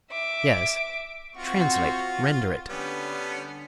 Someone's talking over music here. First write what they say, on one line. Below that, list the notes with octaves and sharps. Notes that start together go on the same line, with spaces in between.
"Yes, translate, render it."
E5 D6
C4 F4 F#4 C#6
D3 G3 B3 C#4